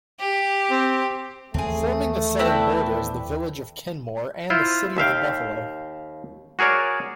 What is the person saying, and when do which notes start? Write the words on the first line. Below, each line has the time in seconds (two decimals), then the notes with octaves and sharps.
Forming the southern border is the village of Kenmore and the city of Buffalo.
0.20 G4
0.71 C4
1.54 D#2 E3 F3 A3 C4 G#4
2.39 B3 C4 D4 E4 B4
4.50 E4 F4 C5
4.97 D#2 E5 F5 G5
6.59 F#4 G#4 A#4 C#5 D5